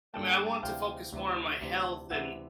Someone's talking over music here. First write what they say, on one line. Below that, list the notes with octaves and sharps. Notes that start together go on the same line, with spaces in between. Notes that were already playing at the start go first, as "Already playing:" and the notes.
I mean, I want to focus more on my health and
G2 D3 G3 A#3 G5 A5
G5 A5
G5 A5
D2 C3 E3 F5 G5
D2 C3 E3
D2 C3 E3
D2 C3 E3 E5 F#5